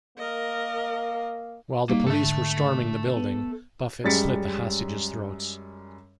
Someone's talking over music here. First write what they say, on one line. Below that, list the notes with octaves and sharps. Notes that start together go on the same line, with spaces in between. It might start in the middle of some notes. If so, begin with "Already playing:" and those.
While the police were storming the building, Buffet slit the hostages' throats.
A#3 A#4 D#5
G3 A#3 D#4
G#2 D3 A4 E5
B3
F#2 G3 G#3 A6 B6 C#7